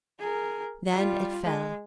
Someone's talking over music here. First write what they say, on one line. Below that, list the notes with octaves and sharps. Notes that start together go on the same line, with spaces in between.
Then it fell.
G#4 A#4
G3 F4
G#3